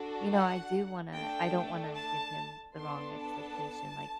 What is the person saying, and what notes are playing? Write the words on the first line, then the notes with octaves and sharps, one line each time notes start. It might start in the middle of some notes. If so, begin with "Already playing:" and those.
you know, I do wanna I don't wanna give him the wrong expectation, like,
Already playing: D4 F#4 A4
F#5
A3 D4 A4 G5
A5
B3 D4 A4 C6
A5